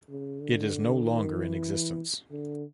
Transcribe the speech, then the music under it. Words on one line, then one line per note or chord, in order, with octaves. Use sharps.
It is no longer in existence.
C#3
D3
D#3
E3
D3